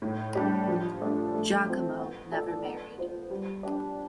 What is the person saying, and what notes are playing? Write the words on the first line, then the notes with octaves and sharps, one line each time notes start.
Giacomo never married.
A2
G3 D4 G4
F3
A3 D4
A3
C4 F4
B3
F4 A4 D5
B3
F4 C5
G3
D4 G4